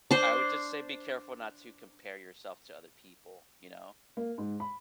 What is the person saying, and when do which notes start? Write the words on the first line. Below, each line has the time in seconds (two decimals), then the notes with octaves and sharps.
I would just say be careful not to compare yourself to other people, you know?
0.11 D4 C5
4.17 A#3
4.38 G#2
4.60 B5